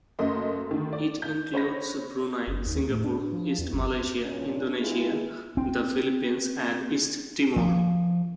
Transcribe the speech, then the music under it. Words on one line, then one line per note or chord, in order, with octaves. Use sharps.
It includes Brunei, Singapore, East Malaysia, Indonesia, the Philippines and East Timor.
F#1 F#2 A3 A#3 D#5 C6
D3 D#3 A3
D5
G6
C5 C#5 B5 A#6
F#1
D#2
A2
D4
F3
E2
G1
G2 A#2 C#4 D4
G#3 B3 E4 F4 G4 G#4
C4
F3